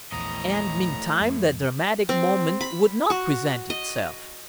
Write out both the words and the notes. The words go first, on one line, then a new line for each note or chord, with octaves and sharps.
And meantime the dramatic moment would not present itself.
A#1 E2 A2 D#5 A#5
F2
C4
B5
F#4
D#5